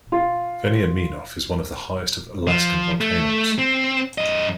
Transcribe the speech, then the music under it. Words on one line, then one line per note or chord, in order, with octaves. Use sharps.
Veniaminof is one of the highest of Alaskan volcanoes.
F4
F3
A3
C4
F#2 D#5